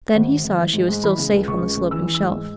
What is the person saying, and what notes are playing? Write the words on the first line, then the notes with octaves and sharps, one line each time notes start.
Then he saw she was still safe on the sloping shelf.
G#1
G#1
G#1
E3
G#2
G#2
E3 B5
C#3
C#2
C#2 C#6
C#2
C#2
E3 E6
E3
E6
G#2